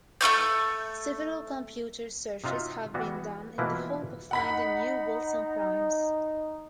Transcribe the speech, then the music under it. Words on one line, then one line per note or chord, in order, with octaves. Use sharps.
Several computer searches have been done in the hope of finding new Wilson primes.
A3 F4 C#6 G6
C3 D#4 F4 F#4 E5
E3 G3 B3 F#4
B2 E3 F3 A#3 E4 B4
D#4 F#5 B5 B6